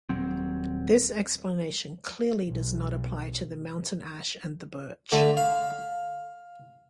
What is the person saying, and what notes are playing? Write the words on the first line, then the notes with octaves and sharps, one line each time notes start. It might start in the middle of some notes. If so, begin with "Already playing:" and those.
This explanation clearly does not apply to the mountain ash and the birch.
D#1 A#2 F#3 C4
B1
D3 A3
F5